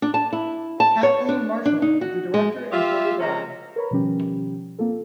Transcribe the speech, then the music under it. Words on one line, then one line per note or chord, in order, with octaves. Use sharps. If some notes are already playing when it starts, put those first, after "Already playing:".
Kathleen Marshall is the director and choreographer.
D4
A5
E4
A5
C#5
D4
D4
D#4
F#4
G#3
F4 G4 E5
C3 F3 G#3 C#4 A#4 A#5
A#4 B4 C#5 A#5 B5
B2 D#3 F3 G3 C#4 G4
A#3 C4 F4 A4